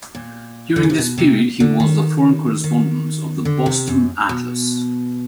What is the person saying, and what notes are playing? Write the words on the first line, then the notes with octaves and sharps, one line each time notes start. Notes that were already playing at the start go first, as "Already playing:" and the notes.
During this period he was the foreign correspondent of the "Boston Atlas".
A#2
D3
C#3
C3
B2
C3
D3
D#3
D#3
D3
C3
F#2
B2